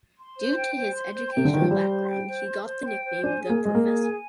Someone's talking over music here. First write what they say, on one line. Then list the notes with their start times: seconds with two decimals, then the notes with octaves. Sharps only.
Due to his educational background, he got the nickname “The Professor”.
0.18 C6
0.37 C5
0.55 G5
0.75 C5
0.94 C6
1.13 C5
1.32 C3 G5
1.45 D3
1.52 D#3 C5
1.62 F3
1.70 G3 C6
1.90 C5
2.09 G5
2.27 C5
2.47 C6
2.66 C5
2.86 G5
3.05 C5
3.24 D4 G#5
3.42 G#4
3.49 A#3
3.62 G#3 D#5
3.75 A#3
3.81 G#4
4.00 G#5